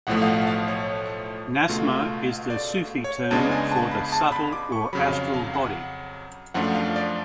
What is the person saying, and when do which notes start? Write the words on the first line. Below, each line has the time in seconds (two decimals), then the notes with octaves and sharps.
Nasma is the Sufi term for the subtle or Astral Body.
0.07 B1 A2 F3 A3 F#5
0.22 F5
0.27 F#5
0.47 F5
0.68 C#5
1.69 C#2 B2 A3 F4
2.50 D5
3.04 C#5
3.31 C#2 C#3 G#3 B3 D4 A5
3.51 G#5
3.71 A5
3.91 B5
4.12 A5
4.32 B5
4.53 D6
4.72 C#6
4.93 F2 C#3 F#3 B5
5.13 F5
5.34 F5
5.54 F#5
6.54 F#2 F3 A3 D4 F4 F#5
6.75 F5
6.96 D5